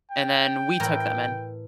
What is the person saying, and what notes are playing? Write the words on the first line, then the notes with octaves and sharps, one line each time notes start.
and then we took them in,
G5
A2 E3 A#4